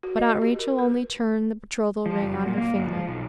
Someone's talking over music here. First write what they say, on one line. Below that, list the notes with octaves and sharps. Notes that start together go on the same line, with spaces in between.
But Aunt Rachel only turned the betrothal ring on her finger.
F#4
D#5
G4
A#4
B4
F3
F#1
F#3
A#2
A#3
G1
F3
B1